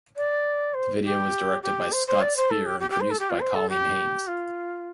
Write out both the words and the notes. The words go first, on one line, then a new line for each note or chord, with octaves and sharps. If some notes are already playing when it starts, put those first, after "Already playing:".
The video was directed by Scott Speer and produced by Coleen Haynes.
D5
C5
G4
G4
C5
C5
D5
C5
A4
G4
G4
G4
C5
A4
G4
F4
C5
A4
G4
F4